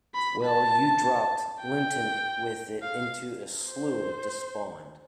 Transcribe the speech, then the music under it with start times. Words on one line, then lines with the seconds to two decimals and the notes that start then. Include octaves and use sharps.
Well, you dropped Linton with it into a Slough of Despond.
0.15 B5
0.45 A5
1.63 G5
2.82 F5
3.71 C5